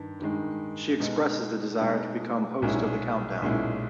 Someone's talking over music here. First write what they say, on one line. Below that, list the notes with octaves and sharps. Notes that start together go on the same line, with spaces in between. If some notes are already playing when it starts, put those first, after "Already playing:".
She expresses the desire to become host of the countdown.
Already playing: G2 D#3
G2 D#3 G#3
B2 G#3 D#4
B2 G#3 D#4
B1 A#2 G#3 C#4 E4
B1 A#2 G#3 C#4 E4